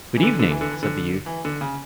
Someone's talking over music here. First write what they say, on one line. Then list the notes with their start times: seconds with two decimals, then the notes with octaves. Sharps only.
'Good evening!' said the youth.
0.17 E3
0.23 D3
0.39 D3
0.51 E3
0.61 D3
0.71 E3
0.83 D3
1.26 E3
1.45 D3
1.61 C#3